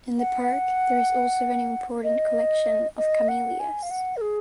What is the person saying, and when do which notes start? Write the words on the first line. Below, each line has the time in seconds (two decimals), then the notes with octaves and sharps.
In the park there is also an important collection of Camellias.
0.18 F#5
2.04 D#5
2.97 D#5
3.28 F#5
3.59 G#5
3.82 F5
3.90 F#5
4.16 A#4
4.21 G#4